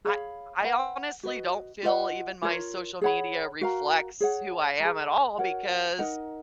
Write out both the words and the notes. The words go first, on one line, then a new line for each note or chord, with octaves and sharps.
I I honestly don't feel even my social media reflects who I am at all because
G#4 C#5 F5 B5
B4 F#5 B5
F#4 B4 D#5
F4 B4 D#5 F#5
F4 A#4 C#5
G#4 C#5 F#5 B5
F#4 A#4 F5 A#5
G#4 C#5 F#5
G#4 D#5 A#5
F#4 A#4 C#5 F#5
D#4 A#4 D#5 F#5